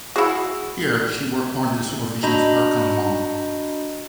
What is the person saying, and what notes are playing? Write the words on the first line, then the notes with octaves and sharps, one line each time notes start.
Here she worked under the supervision of Erkang Wang.
E4 F#4 G#4 F#5
D4 F#4 D#5 A#5 B5 G6